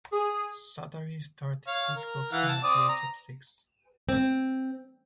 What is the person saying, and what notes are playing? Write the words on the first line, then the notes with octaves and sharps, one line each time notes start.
Sattari started kickboxing at the age of six.
G#4
C#5 F5
A#4
E3 F5 F#5
A5
C4 D5 D#6
A#5
C4